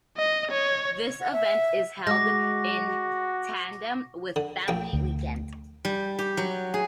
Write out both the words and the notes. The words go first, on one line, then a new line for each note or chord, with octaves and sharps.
This event is held in tandem with Family Weekend.
D#5
C#5
F#5
E5
G#3 F#4 D6 A#6
D3
A#1 A#3 G5
D2
G3
G4
F#3
G#4